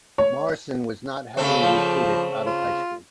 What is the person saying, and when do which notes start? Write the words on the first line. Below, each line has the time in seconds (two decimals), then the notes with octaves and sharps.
Morrison was not heavily recruited out of high school.
0.18 C#5
1.37 C#3 A3 C4
1.62 F3
2.47 F4